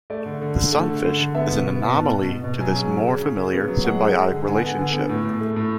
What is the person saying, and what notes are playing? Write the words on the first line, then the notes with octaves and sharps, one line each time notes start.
The Sunfish is an anomaly to this more familiar symbiotic relationship.
A3 D5
D3
D3
D3
A3
D3
D3
D3
B3 E5
B2
B3
B2
B2 A5
B2
B2
B2
F#3 G#5
C#3
C#3
C#3
C#3
C#3
B3
F#3
G#3 F#5
G#3
G#3
D3
D3 G#5
F#5
B3 G#5
D3
B3
A2
A2
A3
A2